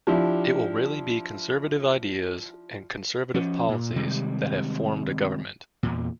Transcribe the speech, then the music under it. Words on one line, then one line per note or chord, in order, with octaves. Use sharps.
It will really be Conservative ideas and Conservative policies that have formed a government.
F3 D4 E4 G4
F3 C#4
A#2
C3 D#3 G3 G#3
E2 A#2